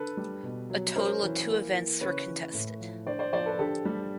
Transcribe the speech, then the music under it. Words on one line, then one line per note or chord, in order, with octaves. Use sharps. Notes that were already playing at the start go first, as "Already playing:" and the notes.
A total of two events were contested.
Already playing: D3 A4 B4
G3
B2
F#3
C#4 A#4 C5
E3
A#3
E3
C#3 B4 C#5
E3
A2
F3
D3 C5 D5
C5 D5
F3 C5 D5
A4 B4
D3 G4 A4
G3